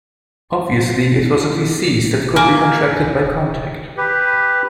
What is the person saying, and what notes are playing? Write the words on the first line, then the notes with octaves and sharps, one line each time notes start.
Obviously, it was a disease that could be contracted by contact.
A#3 G#5
G4 B4